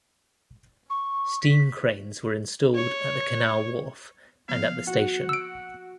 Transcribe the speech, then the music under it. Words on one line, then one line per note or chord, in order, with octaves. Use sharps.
Steam cranes were installed at the canal wharf and at the station.
C#6
B6
C#5
F3 A#3 B3 F5
F#4 F#5
E6 D7